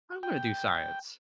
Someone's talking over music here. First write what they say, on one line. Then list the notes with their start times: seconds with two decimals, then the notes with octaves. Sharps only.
"I'm gonna do science,"
0.23 G5